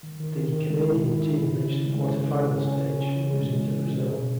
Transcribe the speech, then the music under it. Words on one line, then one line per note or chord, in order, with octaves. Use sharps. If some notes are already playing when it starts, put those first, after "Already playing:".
The Canadian team reached the quarter-final stage, losing to Brazil.
D#3
D#3
D#3
D#3
G#3
E4
D#3
E4
C#3
C#3
C#4
G#3
C#4
C#3
C#4
C#3
C#4
C#3
C#4
E3
G#3
G#3
E3
C#4
G#4
B2